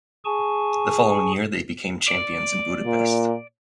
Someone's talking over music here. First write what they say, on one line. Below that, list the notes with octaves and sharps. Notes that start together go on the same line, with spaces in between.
The following year they became champions in Budapest.
G#4 G#5 A5 C#6
D5
A#2